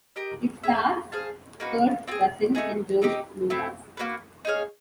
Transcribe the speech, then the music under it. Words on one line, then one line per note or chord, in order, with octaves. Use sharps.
It stars Kurt Russell and Josh Lucas.
G4 A#4 D#5
G#4 C#5 E5
G#4 C5 F5 A5
A#3 D#4 F#4 B4
C4 F4 G#4
A3 C4 D#4 G#4
C4 D#4 G4
A3 C4 E4
A#3 C#4 F#4 B4
D#4 G#4 C#5 F5